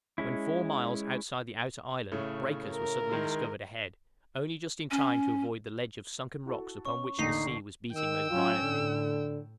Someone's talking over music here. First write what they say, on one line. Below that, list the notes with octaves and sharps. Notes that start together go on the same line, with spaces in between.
When four miles outside the outer island, breakers were suddenly discovered ahead, only just in time to avoid the ledge of sunken rocks upon which the sea was beating most violently.
G#3 C#4 E4
A2 C#3 A3
A#4
D#3 G#3 E4
C#4
E4 F#4 A4
C#4 C#6
A1 D#2 D3 D#4 C7
D#3 G5 E6
F#3 C#4 F4
A2 D3